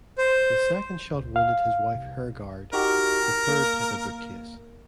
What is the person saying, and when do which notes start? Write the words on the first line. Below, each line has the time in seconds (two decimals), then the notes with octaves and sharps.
The second shot wounded his wife Hergard; the third hit a bookcase.
0.18 C5
1.14 C#2
1.36 F5
1.95 C2
2.73 D#4 F#4 G4 A#4
3.48 A#3